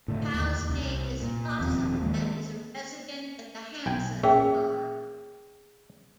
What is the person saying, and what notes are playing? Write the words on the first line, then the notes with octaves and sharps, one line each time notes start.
The cow's name is Blosom and is a resident at the Hanson Farm.
A2 D3 A3
D#2
C2
A#2
E1 D#2 F3 C4
D#3 F3 G#3 A#3
B1 G5 G#5
A#2 C#4 G#4 E5 G5